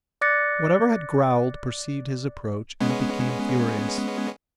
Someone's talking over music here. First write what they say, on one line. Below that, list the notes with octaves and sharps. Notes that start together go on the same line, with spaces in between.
Whatever had growled perceived his approach, and became furious.
D5 D6 F#6 A6 A#6 C#7
G#3 B3 C#4